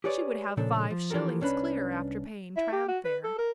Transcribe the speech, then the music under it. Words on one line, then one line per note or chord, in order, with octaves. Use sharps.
She would have five shillings clear after paying tram fare.
G4 G#4 B4 C#5 D5
A#2 C#3 F3 D4 A4
F3
E3 F3 G4 A4 A#4
C2 C#4 D4 B4 B5
E4
G4
F#4
B4
A4
A#4